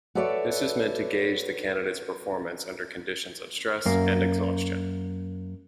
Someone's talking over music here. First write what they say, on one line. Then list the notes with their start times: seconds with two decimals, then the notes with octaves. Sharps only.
This is meant to gauge the candidate's performance under conditions of stress and exhaustion.
0.15 F#4 A4 B4 C#5 D5 E5
3.86 F#2 A#3